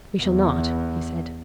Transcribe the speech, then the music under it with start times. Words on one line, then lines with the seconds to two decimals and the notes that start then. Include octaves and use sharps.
"We shall not," he said.
0.21 E2